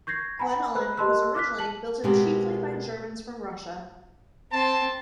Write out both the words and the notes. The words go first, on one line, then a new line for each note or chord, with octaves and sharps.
Glen Ullin was originally built up chiefly by Germans from Russia.
C#6 G6 G#6 A#6 C7
F#5 G#5 A#5 B5
B4 C5 A#5 B5 F#6
G4 D#5 A5 C6 E6 F#6
D6 F6 F#6 B6
A5 F#7
B2 G#3 B3 C4 G4 A#4
C4 A5